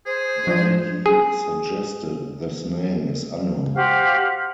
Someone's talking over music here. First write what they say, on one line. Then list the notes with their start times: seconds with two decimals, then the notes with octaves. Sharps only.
Why he suggested this name is unknown.
0.06 G#4 C5
0.47 F3 D4 C5
1.06 G#4
3.74 F#4 G4 C5 F5